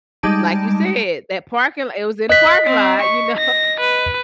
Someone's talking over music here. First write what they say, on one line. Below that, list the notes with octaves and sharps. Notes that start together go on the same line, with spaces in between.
like you said, that parking lo it was in a parking lot, you know?
G3 G#3 D#4 A5 D7
D#5 F#6 B6
C4
C#6
A#6
B4